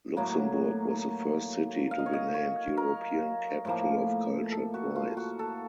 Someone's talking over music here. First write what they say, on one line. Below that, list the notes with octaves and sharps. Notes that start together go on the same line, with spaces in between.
Luxembourg was the first city to be named European Capital of Culture twice.
A2 F#3 A#3
F5
D#5
C#5
D#5
C#5
A#4
A2 F3 A#3
A4
F#4
F4
F#4
A4